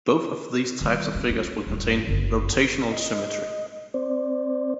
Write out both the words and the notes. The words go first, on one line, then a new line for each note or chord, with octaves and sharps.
Both of these types of figures will contain rotational symmetry.
D#3 G3
C#4
C#4
D#1 G2
F#1 F2
D#5
C4 C5 D5